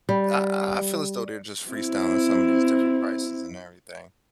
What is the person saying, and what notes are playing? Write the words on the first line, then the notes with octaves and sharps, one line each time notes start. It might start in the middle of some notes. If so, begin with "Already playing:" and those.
I I feel as though they're just free-styling some of these different prices and everything,
G3
C4 E4